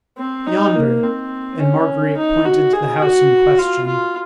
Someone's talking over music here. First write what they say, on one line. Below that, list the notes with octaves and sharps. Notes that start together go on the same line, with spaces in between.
"Yonder," and Marguerite pointed to the house in question.
C4
D#4
A#3
C4
C#4
D#4
F#4
G#4
F#4
F4
F4